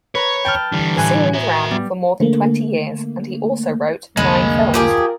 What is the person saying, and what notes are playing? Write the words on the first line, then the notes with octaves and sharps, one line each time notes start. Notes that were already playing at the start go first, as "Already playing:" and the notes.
The series ran for more than twenty years, and he also wrote nine films.
B4 C#5 A#5
G5 A5 F6
D3 E3 G3
A2 G#5 F#6
F#4 E5
G3 B3
D3 A3 A#3
C2 F2 D3 G#3 A#3 B5
F3 F4 G4 G#4 A#4